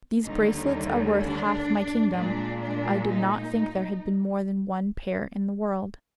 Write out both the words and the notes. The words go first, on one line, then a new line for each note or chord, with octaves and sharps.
"These bracelets are worth half my kingdom; I did not think there had been more than one pair in the world."
D#2 D3 G3 D#4
D4
A#2 G#3 D4
D4
D#4